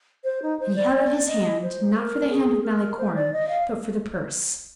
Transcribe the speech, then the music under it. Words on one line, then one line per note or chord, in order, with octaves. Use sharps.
And he held out his hand, not for the hand of Malicorne, but for the purse.
C5
D#4
C5
D5
D5
D#5
C5
A#4
G#4
A#4
C5
D5
D#5
F5